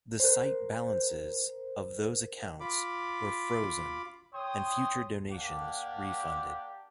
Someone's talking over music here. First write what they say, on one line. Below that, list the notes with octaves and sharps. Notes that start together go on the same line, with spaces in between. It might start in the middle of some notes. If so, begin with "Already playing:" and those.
The site balances of those accounts were frozen and future donations refunded.
A#4 C5
F4 B5 D6
C#5 G5 C6 D#6
A#3 D4 G4 F#5